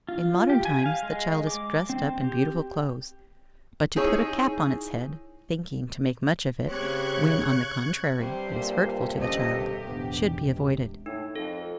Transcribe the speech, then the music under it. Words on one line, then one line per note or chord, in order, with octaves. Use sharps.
In modern times the child is dressed up in beautiful clothes; but to put a cap on its head, thinking to make much of it, when, on the contrary, it is hurtful to the child, should be avoided.
F4
G4
G#5
F5
G#3
D6
C4
G4
D#4 E4 G#4 C5 C#5
C#3 C4 G4 C#5 C#6 F#6 G#6
G2 C3 G3 C4 C5
A#2
C#3 A3 D#5
C2 B2 G4
E1 A1 B3
C3
A2 D#4
F2 A4